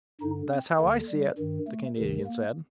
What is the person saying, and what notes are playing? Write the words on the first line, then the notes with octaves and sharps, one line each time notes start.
"That's how I see it," the Canadian said.
G2 D3 D#4
C4
D#2 D3 A#3
G3
G2 D#3
A3
D2 C3 D#3
A#3